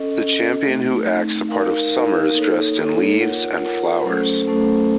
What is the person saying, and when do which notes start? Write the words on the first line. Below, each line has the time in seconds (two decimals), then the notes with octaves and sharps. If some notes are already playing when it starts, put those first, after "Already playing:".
The champion who acts the part of Summer is dressed in leaves and flowers.
Already playing: C#4 A4 D#5
0.20 C#4 A4 D#5
0.64 A3 C4 D#4
1.06 A3 C4 D#4
1.48 D#4 A#4 F5
1.91 D#4 A#4 F5
2.34 A#3 D#4 A4 C#5
2.76 A#3 D#4 A4 C#5
3.19 F4 A#4 C#5 F#5
3.61 F4 A#4 C#5 F#5
4.04 F#3 A3 C#4 A4 C5
4.47 F#3 A3 C#4 A4 C5